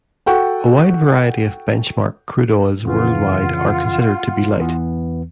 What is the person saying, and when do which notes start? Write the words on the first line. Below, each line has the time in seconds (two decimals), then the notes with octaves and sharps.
A wide variety of benchmark crude oils worldwide are considered to be light.
0.26 F#4 A4 F#5 G5 C#6
2.85 F2 C#3 E3 F4 F#5
4.57 E2 E3 B3